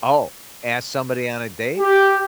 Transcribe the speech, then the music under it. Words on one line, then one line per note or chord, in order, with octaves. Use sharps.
Oh, ask somebody on a date?
G4